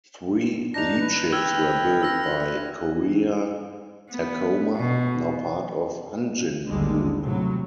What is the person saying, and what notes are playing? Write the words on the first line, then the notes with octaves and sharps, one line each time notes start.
Three lead ships were built by Korea Tacoma, now part of Hanjin Group.
G2 D4 D#4 A#6 F7
B4
G5 E6 F6 G#6
E6 A#6
B3
B2
A1 D#2 D3 G3 G#3
A2 C3 F#3